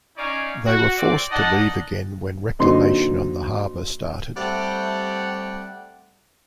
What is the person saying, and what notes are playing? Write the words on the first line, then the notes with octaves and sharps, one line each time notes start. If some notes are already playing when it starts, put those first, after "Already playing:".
They were forced to leave again when reclamation on the harbour started.
C#4 D#4 C#5 D5 F5 G#5
F#4
C4 D5
D#4 D5 D#5 F#5 A5
A#2 D3 F#3 C4 D#4 C6
G3 A3 C4 G4 F#5